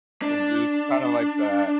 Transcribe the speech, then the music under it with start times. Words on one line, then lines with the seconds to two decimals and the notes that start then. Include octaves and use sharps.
'Cause it was kinda like that
0.22 D4